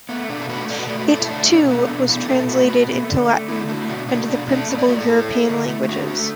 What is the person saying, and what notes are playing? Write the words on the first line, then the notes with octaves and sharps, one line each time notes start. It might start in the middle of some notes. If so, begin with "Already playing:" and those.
It, too, was translated into Latin and the principal European languages.
A3 B3
B2 D4
A4
A3 F#4 B4
B2 A4 D5
F#4 B4
A3 A4 D5
F#4 B4
B2 E4 A4
E4
A3 D4
B2 D4
A3 B3
B3
B2 D4
A3 B3 E4
B2 E4 A4
A3 F#4 B4
B2 F#4 B4
A3 B3
D3 D4
A3
D3 B3 E4
A3 D4 F#4
B2 D4 F#4
A3 D4 F#4
B2 D4
A3 D4
A2 B3
A4 D5
A3 F#4 B4
E4 A4
A2
A3
D3
A3
E4
D3 D4 F#4
A3